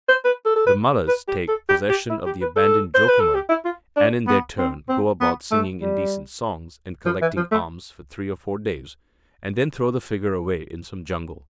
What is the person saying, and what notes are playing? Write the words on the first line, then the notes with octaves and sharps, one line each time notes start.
The Malas take possession of the abandoned Jokumara, and, in their turn, go about singing indecent songs, and collecting alms for three or four days, and then throw the figure away in some jungle.
C5
B4
A4
A4
B4
B4
G4
A4
G4
G4
E4
G4
B4
A4
C5
B4
A4
G4
E4
F4
D4
B3
C4
C4
B3
A3
G3
F3
E3
F3
A3